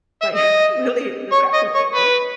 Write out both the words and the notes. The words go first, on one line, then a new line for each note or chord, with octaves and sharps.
right, really aggressively, right?
E5
D#5
C#5
D#5
C#5
B4